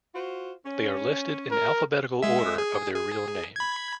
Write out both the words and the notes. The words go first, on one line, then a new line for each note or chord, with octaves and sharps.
They are listed in alphabetical order of their real name.
F4 F#4 C5
C#4
A#4
G#3 E5
G#4
G#4
B5 G#6